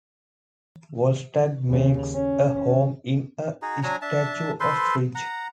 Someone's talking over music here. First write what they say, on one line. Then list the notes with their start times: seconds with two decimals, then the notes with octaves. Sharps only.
Volstagg makes a home in a statue of Frigg.
1.67 D#2 C#3
2.14 C#4
3.62 D#4 F#4 G#4
3.83 F#3 D4 G#5 A#5
4.02 D4 E5 A5
4.60 A4 B4 C5 C6
5.15 F#5 A#5